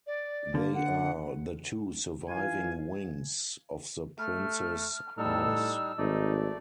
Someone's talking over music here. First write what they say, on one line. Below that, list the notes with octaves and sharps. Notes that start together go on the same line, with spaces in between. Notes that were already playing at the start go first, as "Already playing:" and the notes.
They are the two surviving wings of the Prince's House.
D5
D3 A#3
F#5
E3 F4 F5 G#5
A3 F6
A2 G3 D#4 A4 E6 F6
G#1 A3 D#4 D5